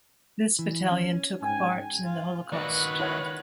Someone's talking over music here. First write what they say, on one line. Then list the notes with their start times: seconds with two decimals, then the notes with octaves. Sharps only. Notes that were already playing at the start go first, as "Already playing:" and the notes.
This battalion took part in the Holocaust.
0.59 E3
0.91 C#4
1.42 G#2 G5 G#5
2.05 F4
2.52 D#3 F#4 B4 D5 F#6
3.00 E4 C#5 F#5